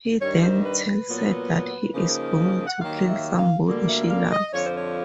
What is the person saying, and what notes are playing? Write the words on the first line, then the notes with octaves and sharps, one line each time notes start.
He then tells her that he is going to kill somebody she loves.
G2 D#3 G3 C#5
C5
B4
B4
A#2 F#3 B3
C#3 F3 A#3 D#4
F#5
D#2 D#3 F#3 A#3 F5
E5
F5
D2 D3 G3 A#3
E5
F5
D#5
F2 D3 F3 C#5
C5
C#5